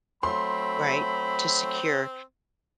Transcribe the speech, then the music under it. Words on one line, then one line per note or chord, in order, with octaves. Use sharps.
right, to secure,
F#3 A3 C4 B5 C6